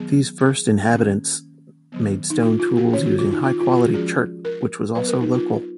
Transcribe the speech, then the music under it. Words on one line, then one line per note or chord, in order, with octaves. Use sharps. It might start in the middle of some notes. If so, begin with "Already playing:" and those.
These first inhabitants made stone tools using high quality chert which was also local.
Already playing: D#3 F#3 B3 G#4
G#4
D#3 A#3 C#4
D#3 F#3 B3
D#4
F4
F4
F#4
D#3 A#3 C#4 C#5
F#4
F4
D#4
F4
F4
F4
F#4
F3 G#3 C#4 G#4
A#4
F#3 B3 B4
A#4
D#4
F4